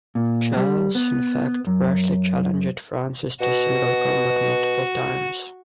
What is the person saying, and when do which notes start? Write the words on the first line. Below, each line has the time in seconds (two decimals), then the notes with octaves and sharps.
Charles, in fact, brashly challenged Francis to single combat multiple times.
0.15 A#2
0.57 G3
0.95 B3
1.67 F#2
3.41 B2 F#4